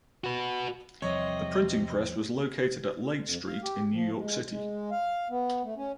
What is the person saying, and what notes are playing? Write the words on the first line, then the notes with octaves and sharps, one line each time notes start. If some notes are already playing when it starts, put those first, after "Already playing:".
The printing press was located at Laight Street in New York City.
F#4 B4
E2 C3 F3 G3 C#5 D#5
F2
F5
G4
F3
G#3
G#3
F5
B3
A3
C#4